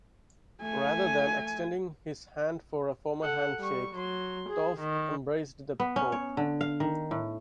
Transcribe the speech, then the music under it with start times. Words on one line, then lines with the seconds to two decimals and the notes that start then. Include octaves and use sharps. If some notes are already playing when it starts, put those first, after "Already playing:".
Rather than extending his hand for a formal handshake, Toaff embraced the Pope.
0.62 A3 G#5
3.22 A4 F#5
3.58 G3 C#6
3.94 F#3 C6
4.49 G#4
4.80 D#3
5.80 B3
5.96 C#4
6.12 C#5
6.37 D3
6.61 F5
6.80 D#3
7.11 A2